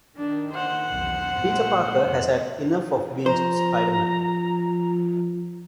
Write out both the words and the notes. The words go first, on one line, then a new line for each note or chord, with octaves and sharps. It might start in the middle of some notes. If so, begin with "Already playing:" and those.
Peter Parker has had enough of being Spider-Man.
D#3 D4
C5 F#5
B1 E2
A#2 G#3 A#3
F2
F3 C5 A#5